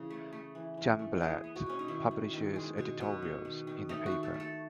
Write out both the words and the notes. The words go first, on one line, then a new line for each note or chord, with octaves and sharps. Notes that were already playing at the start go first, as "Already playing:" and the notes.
Jumblatt publishes editorials in the paper.
Already playing: C#3 E3
A3
A3
E3
E3
A3
B3 G#4
B3
F#4
B2 C#4
D#4
D#3 E4
D#3
D#3
G#3
B2
B2
B3
D#3
D#3
A3 D#4
F#4
D#3
A4
A3
A4